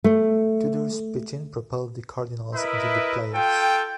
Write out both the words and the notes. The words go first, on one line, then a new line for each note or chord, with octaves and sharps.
Tudor's pitching propelled the Cardinals into the playoffs.
A3
E4 A#4 B4 D#5 E5
F4 A4 G5